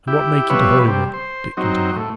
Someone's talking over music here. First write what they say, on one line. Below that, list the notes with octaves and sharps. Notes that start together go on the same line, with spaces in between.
"And what make ye to Holywood?" Dick continued.
E4 G4
F3 G3 B3 B4 C#5 E5
C3 G3
C5
F#3 C4 D#4
A2